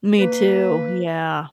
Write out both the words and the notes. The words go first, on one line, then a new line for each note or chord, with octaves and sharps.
Me too, yeah.
A#3 B4